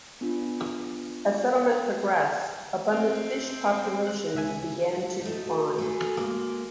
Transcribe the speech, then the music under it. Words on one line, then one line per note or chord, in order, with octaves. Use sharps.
As settlement progressed, abundant fish populations began to decline.
B3 D4 F4
F5 G5
C4 F6
F#6
C#2 E5 G#5
A3 D#4 F#4
A3 G#4
G#3 A#3